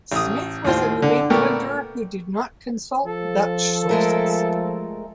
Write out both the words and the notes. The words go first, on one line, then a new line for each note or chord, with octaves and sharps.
Smith was a New Englander, who did not consult Dutch sources.
A1 D#6
D#2 A2 F4 C5
D3
A#2 A3 B3 A#4 G5 C#6
F3 A4
G#3 A3 A#4